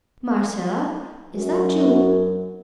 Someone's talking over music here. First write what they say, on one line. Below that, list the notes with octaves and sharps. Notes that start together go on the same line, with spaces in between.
"Marcella, is that you?"
F#2